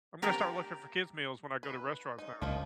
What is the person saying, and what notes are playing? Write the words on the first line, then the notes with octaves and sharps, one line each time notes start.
I'm gonna start looking for kids meals when I go to restaurants now.
G4 A#4 D5 G5 A5
B4
D#4
C#2 F3 A#3 D#4